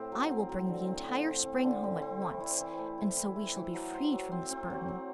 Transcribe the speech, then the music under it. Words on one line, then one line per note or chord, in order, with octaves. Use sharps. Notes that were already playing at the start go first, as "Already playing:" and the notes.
I will bring the entire spring home at once, and so we shall be freed from this burden.'
Already playing: A2 C4
F#3
C4
F#3
D3
C4
D3
C4
C4
D3
D3
C4
E3
E4
E3
A3
E4
E3
E4
E3
F#3
C5
F#3
C4
C4
F#3
C4